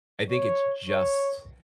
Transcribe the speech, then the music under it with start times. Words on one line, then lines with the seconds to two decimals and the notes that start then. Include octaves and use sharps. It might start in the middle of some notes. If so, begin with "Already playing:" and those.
I think it's just
0.30 C#5
0.89 C#5